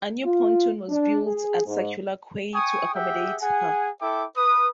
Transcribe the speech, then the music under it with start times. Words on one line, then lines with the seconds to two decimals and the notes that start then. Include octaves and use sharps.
A new pontoon was built at Circular Quay to accommodate her.
0.23 F4
0.89 D4
1.26 G#4
1.65 G#2
2.55 G5 G#5 C#6 D#6
2.94 G4 G#4 E5 F#5 G5
3.42 G#4 F#5 G#5
4.02 E4 A4 E5 G5 D6
4.37 B4 D#6